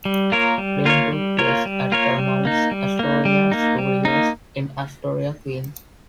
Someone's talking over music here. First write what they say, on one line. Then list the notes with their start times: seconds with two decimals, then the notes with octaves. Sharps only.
Filming took place at Paramount's Astoria Studios in Astoria, Queens.
0.05 G3
0.32 A#3 F4 A#4 C#5
0.58 G3
0.85 A#3 F4 A#4 C#5
1.12 G3
1.38 A#3 F4 A#4 C#5
1.66 G3
1.92 A#3 F4 A#4 C#5
2.18 G3
2.45 A#3 D#4
2.71 G3
2.99 A#3 D#4
3.25 G3
3.52 A#3 D#4
3.78 G3
4.05 A#3 D#4